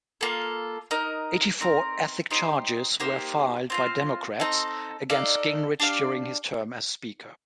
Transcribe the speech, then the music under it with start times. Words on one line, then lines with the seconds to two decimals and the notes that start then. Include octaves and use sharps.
Eighty-four ethics charges were filed by Democrats against Gingrich during his term as Speaker.
0.21 A#3 F4 A4
0.91 D#4 A#4 D#5
1.61 C4 D#4 A#4
2.31 D#4 G4 C5
3.00 A#3 D#4 G4 C5
3.70 C4 F4 C5
4.40 C4 D#4 A4
5.10 D#4 A4 D5 F5
5.80 D4 G4 D5 F5